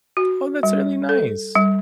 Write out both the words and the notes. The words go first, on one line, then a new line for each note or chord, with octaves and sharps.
Oh, that's really nice.
F#4
G3
A4
G3